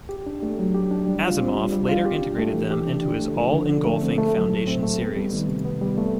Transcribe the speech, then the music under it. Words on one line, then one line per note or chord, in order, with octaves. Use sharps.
Asimov later integrated them into his all-engulfing Foundation series.
G4
D4
A3
F#3
G4
D4
G3
F4
C4
G3
G3
F4
G4
D4
A3
E3
G4
D4
D3
A3
F3
D3
D3
A3
C4
A3
F#3
A2
C4
A3
B3
G3
D#3
C3
B3
G3
A3